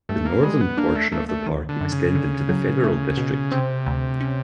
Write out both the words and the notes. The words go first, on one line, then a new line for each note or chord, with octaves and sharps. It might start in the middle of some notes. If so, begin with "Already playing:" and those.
The northern portion of the park extends into the Federal District.
G2 A3
A#3
G3 G#3
B3
A#3 D4
A3
A3 A#3
A3
D#3
D3
F#2
C#3
D3
F#3
A3
B2
C3 C4
D2
C#4